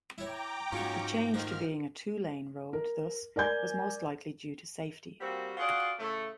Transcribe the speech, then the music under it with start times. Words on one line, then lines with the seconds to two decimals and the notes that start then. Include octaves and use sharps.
The change to being a two-lane road thus was most likely due to safety.
0.18 E4 C#5 G5 A#5 D6
0.72 G#2 F#3 C#4 F4 F#4
1.34 D#3 F3 F#4 F6
2.73 A#4
3.36 A#4 D5 G#5 G6 G#6
5.20 G3 A#3 C4 F#4
5.57 F4 F#4 G#4 D5 F#5
5.99 A2 C#3 A3